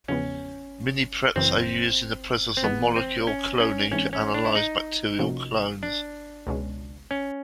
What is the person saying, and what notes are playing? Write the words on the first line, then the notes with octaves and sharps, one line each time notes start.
Minipreps are used in the process of molecular cloning to analyze bacterial clones.
E2 C#3 F3 G#3 B3 C#4
F#2 C#3 E3 C4
C4
E2 C3 E3 G#3 B3
C4
C#4
C#4
G#2 E3 G#3 C4 C#4
C#4
D4
E4
D#4
C3 F3 A#3 C#4 F#4
D4
C#2 B2 G#3 C#4
C#4